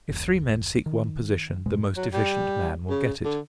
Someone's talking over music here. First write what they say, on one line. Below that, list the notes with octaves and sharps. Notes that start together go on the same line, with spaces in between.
If three men seek one position, the most efficient man will get it.
F#1 D#2
D#3
F2 B2 G#3
F#3
G3
C#3
D3